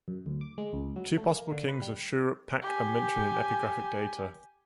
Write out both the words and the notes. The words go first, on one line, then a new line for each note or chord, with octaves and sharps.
Two possible kings of Shuruppak are mentioned in epigraphic data.
F#2
D2
D6
G#3
C#2
F#3
A3
A#3
D3
B4
G3
G4 G#5